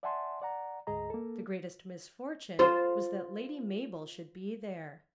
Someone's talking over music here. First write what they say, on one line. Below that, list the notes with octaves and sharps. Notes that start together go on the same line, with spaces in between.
The greatest misfortune was that Lady Mabel should be there.
D5 E5 F#5 G#5 A5 C6
D5 F#5 A#5
D2 G#2 G#4 D#5 A#5
A#3 A4
F4 C5